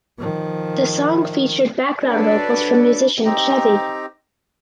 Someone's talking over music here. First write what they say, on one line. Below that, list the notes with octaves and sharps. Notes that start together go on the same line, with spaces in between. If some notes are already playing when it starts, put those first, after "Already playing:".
The song featured background vocals from musician Chevy.
D#3 F3
D4 F#4 A4 B4 C#5 D5
C4 D#4 G4 A#5